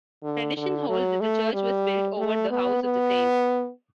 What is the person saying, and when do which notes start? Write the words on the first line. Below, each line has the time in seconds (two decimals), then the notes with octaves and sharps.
Tradition holds that the church was built over the house of the saint.
0.23 D3
0.57 D3
0.89 F#3
1.20 A3
1.53 G3
2.18 A3
2.50 B3
2.83 B3